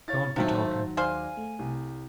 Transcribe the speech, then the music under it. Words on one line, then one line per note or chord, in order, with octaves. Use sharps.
Don't be talking!
E4 C#5 F5 A6
C3 D#3 F3 F#3 A3 C5 F5 F#5
D#2 G#4 C5 D5 F5 F#5 G#5
A3
C2